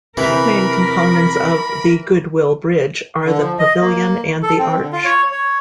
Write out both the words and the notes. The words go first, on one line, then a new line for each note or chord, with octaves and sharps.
Two main components of The Goodwill Bridge are the pavilion and the arch.
C3 E3 A#4 B5
D3
F3
D#5
A#3
A4
C4
D3
F4
C#5
C#5